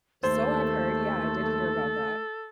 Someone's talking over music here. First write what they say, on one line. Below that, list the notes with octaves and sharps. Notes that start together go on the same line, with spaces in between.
So I've heard, yeah, I did hear about that.
D#2 A3 A4 C5